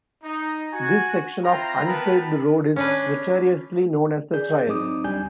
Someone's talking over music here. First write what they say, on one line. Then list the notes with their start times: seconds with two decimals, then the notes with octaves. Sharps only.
This section of unpaved road is notoriously known as the trail.
0.24 D#4
0.72 F#4 G#5
1.43 C4 E4 F4 G5 A#5
1.87 B3 A#4 B4 G5 A5 B5
2.76 C#4 D4 B4
4.34 G#4 D5 G6
4.66 G#2 F#3 C4 D#4 D6 D#6
5.04 D2 G3 D4 G#5 G6